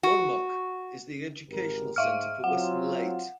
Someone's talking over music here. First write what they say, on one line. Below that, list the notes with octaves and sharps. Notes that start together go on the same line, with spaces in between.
Ormoc is the educational center for western Leyte.
F#4
G#1 G4 A#4
G#2 E5 F5 F6
F#3 C4 F4 F#5